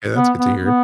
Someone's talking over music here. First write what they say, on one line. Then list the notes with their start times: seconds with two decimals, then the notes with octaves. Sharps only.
Yeah, that's good to hear.
0.15 B3
0.38 B3
0.59 B3